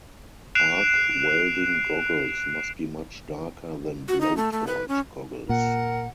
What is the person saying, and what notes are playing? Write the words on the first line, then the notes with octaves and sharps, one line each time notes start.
Arc welding goggles must be much darker than blowtorch goggles.
F#6 C7 D7 E7 F7
F#4
D#4
A3
A3
B4
C#4
A#2 A#4 F#5